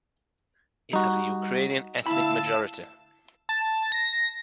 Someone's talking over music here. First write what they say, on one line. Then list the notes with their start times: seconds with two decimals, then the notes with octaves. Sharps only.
It has a Ukrainian ethnic majority.
0.93 G3 D#4 F#4
2.06 D2 E4 F5 A5 B5 E6
3.49 A5
3.92 A#6